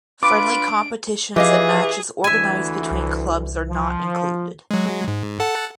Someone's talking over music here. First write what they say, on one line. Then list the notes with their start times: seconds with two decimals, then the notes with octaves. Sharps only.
Friendly competitions and matches organized between clubs are not included.
0.23 D4 F4 B4 D6 D7
1.36 E3 F3 G4 G#4 D#5 F5
2.24 D2 E3 E5 G#5
2.90 C2
3.68 F3
4.71 F#3 G#3
5.08 G#2
5.40 A4 F#5 A5